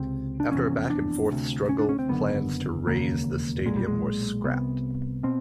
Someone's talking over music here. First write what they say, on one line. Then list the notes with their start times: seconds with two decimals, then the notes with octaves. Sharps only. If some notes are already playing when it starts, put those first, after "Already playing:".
After a back and forth struggle, plans to raze the stadium were scrapped.
Already playing: C#2 C3 C4
0.40 D4
0.51 F1 E2 C3 C#4
0.90 D4
1.30 D2 C3
1.69 C#4
1.79 D4
1.89 C#4
1.99 C4
2.08 F#1 F#2 D3 B3
2.87 E1 D#2 C#3 A#3
3.66 B1 A#2 G#3
3.76 G3
3.87 G#3
4.44 C2 C3 B3
5.23 B2 C4